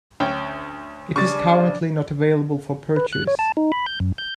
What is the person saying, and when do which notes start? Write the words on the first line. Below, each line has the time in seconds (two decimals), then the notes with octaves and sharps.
It is currently not available for purchase.
0.20 D2 C#4 G5
1.16 C#3 G3 D4 C#6 A6
2.96 B4
3.13 F#6
3.27 C#5
3.39 A5
3.57 D#4
3.72 B5
3.86 G6
4.00 F#2
4.18 G6